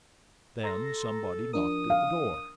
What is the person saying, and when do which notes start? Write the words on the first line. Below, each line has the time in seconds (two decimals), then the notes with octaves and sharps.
Then somebody knocked at the door.
0.64 A4 A#5 C6 A#6
1.54 F3 D4 A#4 D#6
1.90 F5